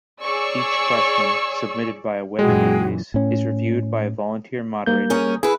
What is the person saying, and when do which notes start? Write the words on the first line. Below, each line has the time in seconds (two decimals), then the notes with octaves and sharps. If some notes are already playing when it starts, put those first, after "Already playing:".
Each question, submitted via a Web interface, is reviewed by a volunteer moderator.
0.22 G#4 C#5 D5 C#6 E6
2.39 F#2 A#2 E3 G#3 F#4 G#4 G5
3.14 A2 C#4
4.86 G3 A#3 G6
5.10 C#4 G#4 A#4
5.43 E4 G#4 B4